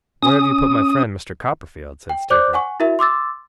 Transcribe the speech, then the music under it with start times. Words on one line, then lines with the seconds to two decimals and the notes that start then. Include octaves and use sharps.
'Where have you put my friend, Mr. Copperfield?' said Steerforth.
0.23 C#4 D#6
2.09 G5
2.30 C5 D5 D6 F#6 G6
2.53 F#5 G#5 C#6
2.80 E4 F#4 A#4 E5
2.99 C6 D6 E6 A6